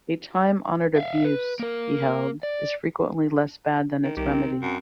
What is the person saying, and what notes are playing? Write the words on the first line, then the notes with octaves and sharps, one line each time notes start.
A time-honoured abuse, he held, is frequently less bad than its remedy.
E5 F5
B4
A#3 A#4
D5
D#3
C2 D#3 G4
C4
F#2